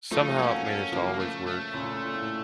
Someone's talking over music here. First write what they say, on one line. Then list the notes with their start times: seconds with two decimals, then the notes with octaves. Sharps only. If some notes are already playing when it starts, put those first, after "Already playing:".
somehow managed to always work,
0.11 F3 A3 D#4
0.38 F#3 A#3 C#4
0.65 C#4
0.92 C#3 F3 A#3
1.20 A3
1.47 A3
1.73 A#2 C#3
1.94 A#2
2.14 A2